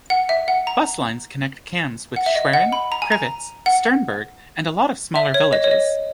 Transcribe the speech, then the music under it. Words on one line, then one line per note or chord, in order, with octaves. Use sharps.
Bus lines connect Cambs with Schwerin, Crivitz, Sternberg and a lot of smaller villages.
F#5
E5
F#5
A#5
F#5
E5
D#5
F#5
B5
A#5
G#5
A#5
F#5
E5
C#5
D#5
C#5
D#5